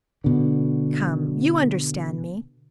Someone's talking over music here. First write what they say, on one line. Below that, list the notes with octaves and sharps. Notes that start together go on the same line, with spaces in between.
"Come, you understand me."
B2 D3